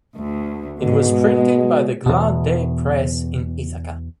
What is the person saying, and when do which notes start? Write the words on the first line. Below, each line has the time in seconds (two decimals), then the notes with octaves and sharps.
It was printed by the Glad Day Press in Ithaca.
0.18 D2
0.80 G#2 B2 D3
1.12 G#3
2.06 E2 B2